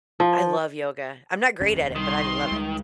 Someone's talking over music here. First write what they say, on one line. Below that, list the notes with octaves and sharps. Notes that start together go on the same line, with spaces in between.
I love yoga. I'm not great at it, but I love it.
F3
F1 D#2 C#4
C2 D#3 G3 C6
C#2 G#3